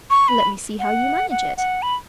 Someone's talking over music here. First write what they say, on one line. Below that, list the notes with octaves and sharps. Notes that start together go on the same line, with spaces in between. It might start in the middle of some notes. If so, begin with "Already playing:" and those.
'Let me see how you manage it.'
C#6
B5
F#5
F#5
F#5
B5